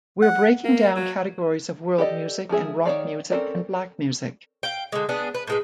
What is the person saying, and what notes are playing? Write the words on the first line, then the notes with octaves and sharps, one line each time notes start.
We're breaking down categories of world music and rock music and black music.
F#5
A#3
F#3
G4 A4 D5 D#5
F3 G#3 G#4 E5
D#3 D4 C#5 D5 F5
C4 C#4 A4 A#4 D5
F5 G5
D3 G#3
B3 D4 G#4
B4
A2 G#3 B4